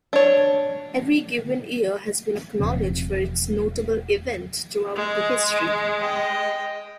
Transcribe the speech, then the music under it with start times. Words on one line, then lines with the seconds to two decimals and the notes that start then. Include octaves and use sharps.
Every given year has been acknowledge for its notable event throughout the history.
0.13 D4 C#5
2.59 E1 C#3 F3 C4
4.96 G#3
5.99 D#5 G5